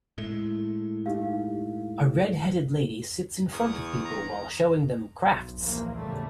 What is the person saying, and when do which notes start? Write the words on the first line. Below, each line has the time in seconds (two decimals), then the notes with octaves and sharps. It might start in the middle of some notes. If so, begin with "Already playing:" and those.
A redheaded lady sits in front of people while showing them crafts.
0.18 A2 G#3 A3 E4
1.06 D#4 G4 F5
3.53 E2 C#6 D#6
4.05 A#5
5.21 B1
5.60 A#1 D#2 A#2 E3 F3 A#3
5.96 F#1 E2 A2 C#3 G3 A3